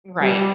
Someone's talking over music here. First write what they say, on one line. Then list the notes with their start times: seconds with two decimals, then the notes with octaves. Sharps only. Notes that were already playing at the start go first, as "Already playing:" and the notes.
You're right.
0.21 G3